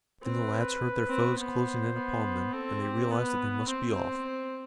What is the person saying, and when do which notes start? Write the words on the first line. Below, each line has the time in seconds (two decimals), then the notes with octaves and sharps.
Then the lads heard their foes closing in upon them, and they realized that they must be off.
0.23 C4 B4
1.08 C4
1.38 B3 C5
1.95 B3
2.53 C4 A4
2.82 G4
3.11 B3 B4
3.68 C4 C5
3.97 C5
4.26 C5